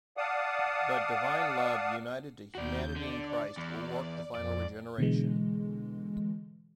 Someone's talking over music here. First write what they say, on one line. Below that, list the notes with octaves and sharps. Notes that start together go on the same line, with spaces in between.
But divine love, united to humanity in Christ, will work the final regeneration.
D5 F5 F#5 A5 D#6
D#2 F#4 D5 G6
D3 D5
E2
F2 D5
B2 D3 E3 G#3